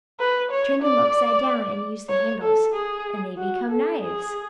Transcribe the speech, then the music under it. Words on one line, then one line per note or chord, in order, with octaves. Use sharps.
"Turn them upside down, and use the handle, and they become knives."
B4
C#5
D5
C#5
A4
G#4
F#4
A4
G#4